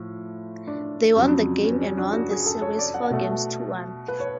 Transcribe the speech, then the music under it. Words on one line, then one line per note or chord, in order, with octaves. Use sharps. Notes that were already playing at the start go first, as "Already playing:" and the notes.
They won the game and won the series four games to one.
Already playing: A2 F3
D4
F2 C#3 F#3
C#4
C#4
D4
F#4
G#4
A4
C#5
D5
F#5
B2 A3
B4
C#5